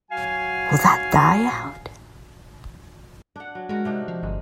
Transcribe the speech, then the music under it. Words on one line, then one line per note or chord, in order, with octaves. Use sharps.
Will that die out?
F#3 F#4 F5 G#5
D4 F#5
F#3
G#3 F#4 A#4
C3 D4 D#4
F3
G1 G#3